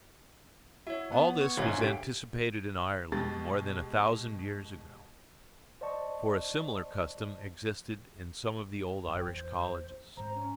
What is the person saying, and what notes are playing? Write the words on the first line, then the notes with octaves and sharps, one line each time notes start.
All this was anticipated in Ireland more than a thousand years ago; for a similar custom existed in some of the old Irish colleges.
E4 F#4 C#5
B3
C#6 G#6
G#1 G#2 C#5 E5 F5
D2 G4 D7
B2 G#3 G4 A6
C5 D5 D#5 A5 C#6
G#1 F#2 G5
E2 C5
G#2 C4 C5 A#5
C#4